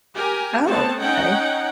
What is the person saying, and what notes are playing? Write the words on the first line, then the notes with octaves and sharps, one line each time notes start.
Oh, okay.
G4 A#4 G#5
A3 B3 C4 C#5 A5
C#4 D#4 F#5 G5